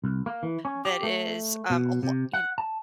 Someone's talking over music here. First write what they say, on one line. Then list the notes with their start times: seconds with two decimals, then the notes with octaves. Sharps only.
that is, um, a lo y kn
0.04 C2
0.26 A#3
0.43 E3
0.65 C#4
0.85 G4
1.03 A3
1.70 B2
2.03 C3
2.33 F#5
2.58 A5